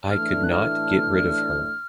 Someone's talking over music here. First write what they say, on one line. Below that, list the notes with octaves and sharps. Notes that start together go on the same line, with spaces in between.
I could not get rid of her.
A2 E3 A3 D4 F6
F#6
F6